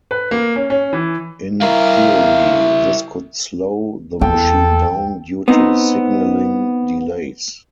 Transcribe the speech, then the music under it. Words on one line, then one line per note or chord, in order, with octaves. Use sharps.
In theory, this could slow the machine down due to signalling delays.
B4
A#3
C#4
C#4
E3
E4 A#4 F5
E2 A4 G5
B3 C4 D#4